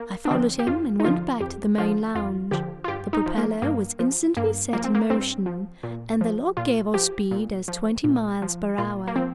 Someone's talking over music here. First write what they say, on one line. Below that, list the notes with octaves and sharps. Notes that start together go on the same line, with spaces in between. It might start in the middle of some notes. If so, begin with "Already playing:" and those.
I followed him and went back to the main lounge. The propeller was instantly set in motion, and the log gave our speed as twenty miles per hour.
Already playing: A#3
D4
D3 F3 C4
G4
F2 F4
D#4
D3 F3 F4
F2 G4
D3 F3 F4
F2 F4
D3 F3 G4
F4
G2 G4
D#4
F3
A#3
G2 A#3
F3
G2 A#3
F3 A#3
C4
A#3
G2 C4
F3
A#2
F3
A#2 F4
F3 G4
A#2
F3
A#2
F3
A#2 F4
A#3
F3 C4